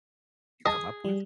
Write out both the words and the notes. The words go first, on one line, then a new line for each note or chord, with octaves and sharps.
you come up with?
G#4 D#5 A5
G3